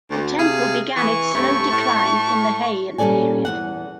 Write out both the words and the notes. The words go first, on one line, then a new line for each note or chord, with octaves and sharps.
The temple began its slow decline in the Heian period.
D2
C3 G#4 F5
E3 C#6
G2 C3 A3
A2 A3
A#2 G3 C#4 A4 D5 G#5
E2 G2 F#5